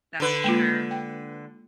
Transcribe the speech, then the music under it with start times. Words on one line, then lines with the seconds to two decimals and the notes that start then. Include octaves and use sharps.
That's true.
0.20 D3 B4
0.44 G#3 A#3 F4
0.91 G5